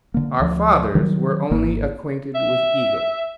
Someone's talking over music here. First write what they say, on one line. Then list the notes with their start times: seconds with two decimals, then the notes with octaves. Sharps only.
Our fathers were only acquainted with egotism.
0.14 D3 A#3
0.40 D2 F3
0.95 D#3 F#3 G3
1.51 G#1 A#3
2.35 E5